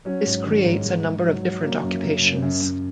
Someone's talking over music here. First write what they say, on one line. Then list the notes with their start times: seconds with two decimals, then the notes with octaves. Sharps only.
This creates a number of different occupations.
0.05 F#3 C#4
0.26 G#2
0.45 D#3 C#4
0.65 G#2
0.85 G#2
1.04 G#2
1.24 F#3
1.43 F#3
1.63 F#3 A#3
1.83 F#2
2.03 C#3
2.22 F#2
2.42 F#2
2.62 F#2